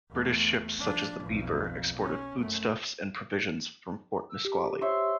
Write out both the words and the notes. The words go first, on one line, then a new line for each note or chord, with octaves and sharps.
British ships such as the "Beaver", exported foodstuffs and provisions from Fort Nisqually.
E2 A3
F3 D4
B1 F2
C#4
F#2 A3
E6
G4
C5 C#5 E5